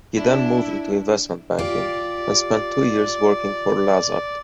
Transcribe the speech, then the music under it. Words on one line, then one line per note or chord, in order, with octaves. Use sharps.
He then moved into investment banking and spent two years working for Lazard.
D4 E4
F4 G4 D5